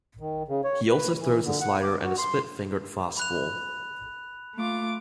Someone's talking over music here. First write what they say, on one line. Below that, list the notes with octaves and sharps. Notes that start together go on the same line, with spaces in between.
He also throws a slider and a split-fingered fastball.
D#3
C#3
C#5
B4
E3
D3
F#5
D6
F#4
C6
B5 F#6 F7
A3 F4 D6